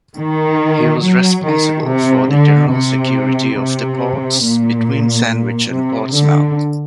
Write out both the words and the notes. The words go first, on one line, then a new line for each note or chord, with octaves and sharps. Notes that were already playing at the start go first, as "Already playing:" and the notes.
He was responsible for the general security of the ports between Sandwich and Portsmouth.
D#3
F#3
D#3
C3
D3
C3
C3
A#2
A#2
C3
D3